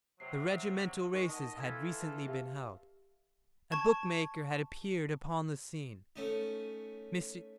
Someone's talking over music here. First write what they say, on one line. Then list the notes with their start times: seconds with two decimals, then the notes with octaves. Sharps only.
The regimental races had recently been held; a bookmaker had appeared upon the scene--Mr.
0.20 C3 F#3 C7
1.13 G#3 D#4 A#4 C#6
1.29 D#5 F#5 A5
1.58 E3 F4 A4 E6 G#6 B6
2.27 G4 E5 F5
3.72 A5 C#6 G#6
6.16 A3 C#4 D#4